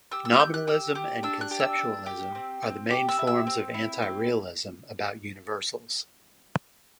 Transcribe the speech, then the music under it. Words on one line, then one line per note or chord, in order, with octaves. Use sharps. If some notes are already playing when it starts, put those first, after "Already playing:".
Nominalism and conceptualism are the main forms of anti-realism about universals.
G4 E6
E6
G4 G6
F#6
G4 E6
G4
D4 E6
F#6
G4
E6
D4
G4
C4
C4
G4 D6
E6
E4
E6
C4
E4
C4